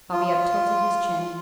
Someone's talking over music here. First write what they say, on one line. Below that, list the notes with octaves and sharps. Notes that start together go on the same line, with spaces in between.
Bobby uptilted his chin.
F4